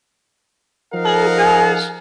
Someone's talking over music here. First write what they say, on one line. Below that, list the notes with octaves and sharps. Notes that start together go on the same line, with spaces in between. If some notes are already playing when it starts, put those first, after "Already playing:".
Oh gosh.
F3 D#4 A#4 F5 F#5